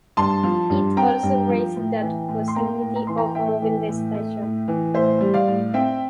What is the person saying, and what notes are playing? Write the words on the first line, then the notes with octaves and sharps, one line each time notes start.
It also raised the possibility of moving the station.
G2 A5 C6
F3
G2
C4 G5 A#5
G2
F3
A2
E3
A2
C6
A#3 G5 A#5
A2
A#5
E3 C6
G5 A#5
A2 E5 G5
E3
A2
A3
A2
E3
A2 C5 E5
G3
D5 F5
A2
C4 E5 G5